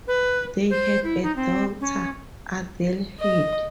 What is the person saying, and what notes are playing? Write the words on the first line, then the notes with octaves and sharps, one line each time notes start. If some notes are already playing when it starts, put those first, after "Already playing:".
They had a daughter, Adelheid.
B4
C5
E4
D#4
C4
C#4
D#5